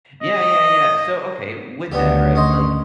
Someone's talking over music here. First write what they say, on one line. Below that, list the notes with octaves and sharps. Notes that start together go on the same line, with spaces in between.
yeah, yeah, yeah, so okay, with that, right? Like,
D#5
D2 D#3 B3 D4 G4
C#4 D#5 C6